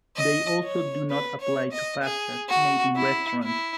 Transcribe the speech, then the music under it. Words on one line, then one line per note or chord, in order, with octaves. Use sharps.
They also do not apply to pastas made in restaurants.
D#5
C#5
B4
C#5
D#5
G#4
F#4
E4
E4